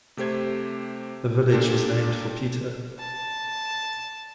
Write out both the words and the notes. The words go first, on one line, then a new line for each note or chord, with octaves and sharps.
The village was named for Peter.
C3 A3 G4 C5 G#6
A#2 D4 G4 A4 A#4
A5